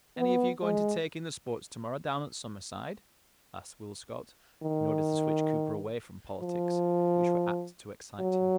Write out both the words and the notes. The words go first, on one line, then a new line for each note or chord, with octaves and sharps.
"Any of you going to take in the sports tomorrow down at Summerside?" asked Will Scott, in order to switch Cooper away from politics, which were apt to excite him.
B3
G#3
D#3
F3
F#3